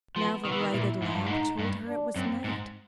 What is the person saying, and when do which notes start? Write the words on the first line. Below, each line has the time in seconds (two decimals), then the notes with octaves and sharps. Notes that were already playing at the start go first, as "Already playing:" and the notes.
Now the lighted lamp told her it was night.
0.16 F3 B3
0.44 D#3 B3
0.52 E3
0.59 D#3
0.73 A#2 E4
1.02 G#2
1.14 G2
1.26 G#2 D#4
1.59 G2
1.87 D4
2.15 F#2 C4
2.44 G#2